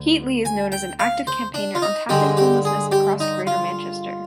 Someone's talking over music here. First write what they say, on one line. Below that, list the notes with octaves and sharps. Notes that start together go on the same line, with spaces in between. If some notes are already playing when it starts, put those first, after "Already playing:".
Heatley is known as an active campaigner on tackling homelessness across Greater Manchester.
Already playing: D2
G#5
G5
F5
C5
D4
F4
D#4
G2 D3 G#3 G4
G4
G#4
G4
D#4
F4